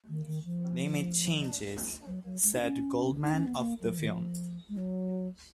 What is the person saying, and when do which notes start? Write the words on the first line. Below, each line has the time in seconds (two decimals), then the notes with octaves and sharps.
"They made changes," said Goldman of the film.
0.09 D#3
0.27 D#3
0.45 F3
2.07 F#3
2.25 F#3
2.43 G#3
2.55 D#4
2.61 C#4
3.22 D#4
3.33 C#4
3.46 B3
3.57 A#3
3.81 F#3
3.90 F3
3.99 D#3
4.08 F3
4.69 G#3
4.77 F#3